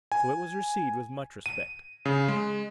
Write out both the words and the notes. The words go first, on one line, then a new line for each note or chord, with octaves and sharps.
So it was received with much respect.
G#5
D#7
C#3
G#3